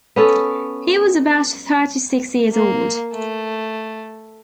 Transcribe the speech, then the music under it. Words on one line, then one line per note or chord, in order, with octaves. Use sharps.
He was about thirty-six years old.
B3 C#4 A4
A#3
A3